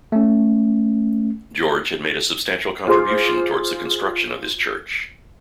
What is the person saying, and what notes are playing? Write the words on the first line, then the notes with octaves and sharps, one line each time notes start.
George had made a substantial contribution towards the construction of this church.
A3 C#4
F4 G#4 C5 C6 D6